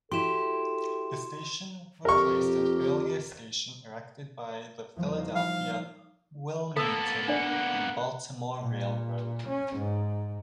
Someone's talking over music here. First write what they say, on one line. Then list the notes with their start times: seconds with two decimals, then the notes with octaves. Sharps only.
The station replaced an earlier station erected by the Philadelphia, Wilmington and Baltimore Railroad.
0.12 E4 F#4 G4 A4 C6 E7
2.05 F2 G4 A#4 C#6
4.96 E2 F3 G3
5.18 D#4 D5 F5
5.35 F3 F5
6.77 A#3 B3 A4 A5 E6
7.28 D4 D5 F#5
8.61 A#2
9.47 C#4
9.76 G#2